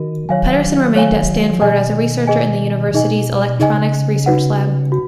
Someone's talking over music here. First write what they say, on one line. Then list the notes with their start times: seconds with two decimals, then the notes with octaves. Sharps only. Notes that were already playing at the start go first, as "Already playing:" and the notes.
Pederson remained at Stanford as a researcher in the university's electronics research lab.
Already playing: D#3 F#4 A#4
0.29 D#3 F#3 C#5 F5 G#5
0.96 C#5 F5 G#5
1.51 F3
1.61 B2 D#3 G#4 D#5 G#5
2.27 G#4 D#5 G#5
2.94 B2 D#4 G#4 D#5 G#5
3.60 C#3 D#4 G#4 D#5 G#5
4.26 D#4 F#4 B4 F#5
4.92 F#4